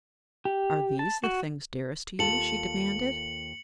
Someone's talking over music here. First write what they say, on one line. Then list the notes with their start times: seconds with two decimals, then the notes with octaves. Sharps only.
"Are these the things dearest to you?" she demanded.
0.45 G4
0.99 A5
1.24 F#4
2.19 D#2 F4 A4 C#7 F#7